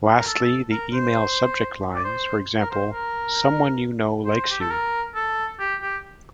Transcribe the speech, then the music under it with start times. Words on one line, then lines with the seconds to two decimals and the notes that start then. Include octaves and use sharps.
Lastly, the email subject lines - for example, Someone you know likes you!
0.17 A#4
0.26 A4
0.71 A#4
0.93 C5
1.95 D5
2.04 C5
2.60 A#4
2.71 C5
2.93 A#4
4.26 C5
4.50 G4
4.60 A4
4.70 A#4
5.15 A4
5.59 G4
5.81 G4